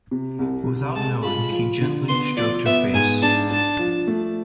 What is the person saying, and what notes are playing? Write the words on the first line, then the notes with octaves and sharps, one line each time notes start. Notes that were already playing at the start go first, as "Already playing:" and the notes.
Without knowing, he gently stroked her face.
C3
C2
C3
G#3 A5
F4 B5
F3
D3
B3 C6
F3 D5
B3 E5
G#2 G#5
D4 A5
D4 A5
F3
A3